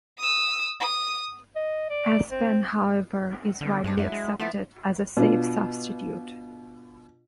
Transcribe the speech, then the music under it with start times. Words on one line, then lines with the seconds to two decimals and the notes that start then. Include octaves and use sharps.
Aspen however is widely accepted as a safe substitute.
0.19 D#6 E6
0.80 D#6
1.56 D#5
1.90 D5
2.31 C4
3.61 D3
3.84 G2 G#3 C4 D4
3.97 F#2 F#3 E4
4.12 G#3
4.39 F3 A3 B3 E4
5.17 B2 D4 F4